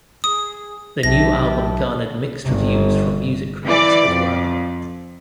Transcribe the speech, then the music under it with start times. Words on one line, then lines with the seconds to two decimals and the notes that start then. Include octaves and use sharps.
The new album garnered mixed reviews from music critics as well.
0.24 G#4 D#6
1.03 B1 G4 E5 A5 A#6
2.46 G1
3.65 E3 D5
4.08 F2